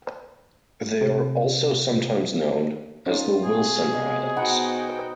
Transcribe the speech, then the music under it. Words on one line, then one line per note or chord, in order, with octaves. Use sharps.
They are also sometimes known as the Wilson Islands.
C3
C#4 D#4 F4
B2 G#4
C3 D#5
B3 D#4 F#4 C5 F#5 G5